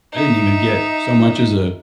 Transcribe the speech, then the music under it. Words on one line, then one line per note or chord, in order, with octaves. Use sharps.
I didn't even get so much as a,
D#4 E5